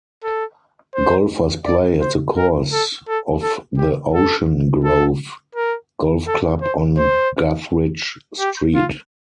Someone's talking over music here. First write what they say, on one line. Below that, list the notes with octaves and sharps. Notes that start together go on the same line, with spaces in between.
Golfers play at the course of the Ocean Grove Golf Club on Guthridge Street.
A4
C5
D5
C5
A#4
A4
A4
A4
G4
A4
A4
A#4
A4
C5
C5
G4
F4